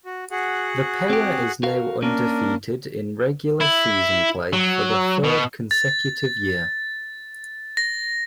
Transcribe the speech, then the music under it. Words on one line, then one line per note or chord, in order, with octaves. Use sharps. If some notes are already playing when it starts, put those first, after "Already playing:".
The Power is now undefeated in regular season play for the third consecutive year.
F#4
F#4 G#4 F#5
C4 G4
F#4 A#4 F5
A#3 C#4 D4 A#4
E4
F#3
B2
A6
A#6